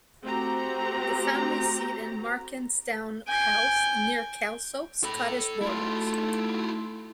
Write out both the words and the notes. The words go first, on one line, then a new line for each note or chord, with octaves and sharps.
The family seat is Makerstoun House, near Kelso, Scottish Borders.
A3 C4 F#4 G4 A#5
G5 G#5
A4 B5
A3 E4 F4